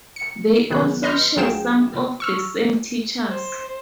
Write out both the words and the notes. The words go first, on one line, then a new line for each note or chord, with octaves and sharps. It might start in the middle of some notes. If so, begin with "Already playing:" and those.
They also share some of the same teachers.
C#7
B1 D#3 B3 G#4 F#6
B4 D#5 C6 F6 G6
D2 F#3 F4 G#4 G5 E7
C#6 E6 F6
C5